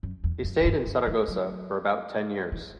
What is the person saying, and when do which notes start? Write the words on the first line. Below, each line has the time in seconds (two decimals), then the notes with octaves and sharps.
He stayed in Zaragoza for about ten years.
0.03 F#2
0.24 E2
0.44 F#2
0.60 F#2
0.65 G2
0.87 D3
1.07 E3
1.28 F#3
2.52 E3